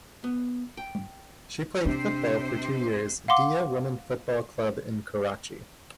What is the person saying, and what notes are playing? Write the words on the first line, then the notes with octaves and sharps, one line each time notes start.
She played football for two years Diya Women Football Club in Karachi.
B3
G5
C3 D4 C5
F5 F#5 C6 D6